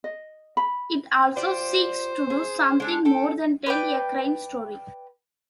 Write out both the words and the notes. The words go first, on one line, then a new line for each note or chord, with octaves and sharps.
It also seeks to do something more than tell a crime story.
D#5
B5
F4 G4 C5 D5
G#4
G#3 D4 A4
A4 G5
B4 D5 G5